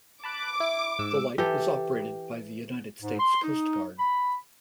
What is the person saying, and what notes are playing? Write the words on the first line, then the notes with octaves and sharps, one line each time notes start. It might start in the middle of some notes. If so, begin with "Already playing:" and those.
The light is operated by the United States Coast Guard.
A5 B5 D6 F#6
E4
G#2 E6
E3 G4 A4
G#2
C6
D#4
B5